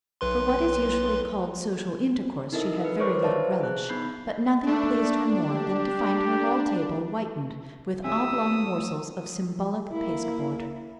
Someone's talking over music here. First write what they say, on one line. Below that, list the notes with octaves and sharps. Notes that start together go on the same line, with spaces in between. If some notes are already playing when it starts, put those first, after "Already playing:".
For what is usually called social intercourse she had very little relish; but nothing pleased her more than to find her hall-table whitened with oblong morsels of symbolic pasteboard.
B1 B4 C6
D#4 E4 A4 A#4 D#5 E5
B4 F#5
A#4 C5 C#5 C#6 D6 F6
B4 C5 D5 E5 F5 A5
G#4 F#6
B3 D#4 B5 G6 C7
A3 D4
G4
D#2 A#2 A3 C4 E5 G#5 D#6 E6
A#3 E4